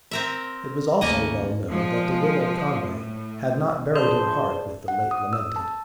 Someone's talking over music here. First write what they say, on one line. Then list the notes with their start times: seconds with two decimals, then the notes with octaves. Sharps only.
It was also well known that the Widow Conway had not buried her heart with the late lamented.
0.11 C4 A#4 E5
1.01 D#2 C#3 A3 A#3 D#5
1.70 F3 G#3
2.86 A2
3.96 A#1 G#3 G#4 B4 C5 D5 E5 A5
4.88 F#5
5.11 D#6
5.33 E6
5.56 A5